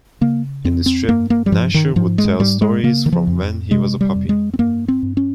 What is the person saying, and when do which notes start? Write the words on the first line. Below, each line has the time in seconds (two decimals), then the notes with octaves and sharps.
In the strip, Gnasher would tell stories from when he was a puppy.
0.21 C#3 A#3
0.65 F2 C4
0.86 C4
1.09 G2 A#3
1.30 A#3
1.46 G3
1.52 G2 F3
1.74 D#3
1.96 G#2 F3
2.18 G#3
2.39 G#2 G3
2.62 G#3
2.83 C#3 A#3
3.06 D#3
3.12 F3
3.27 F2
3.71 C3 G#3
4.01 G3
4.15 F2
4.29 G#3
4.54 C4
4.59 G2 A#3
4.88 C4
5.03 G2
5.17 C#4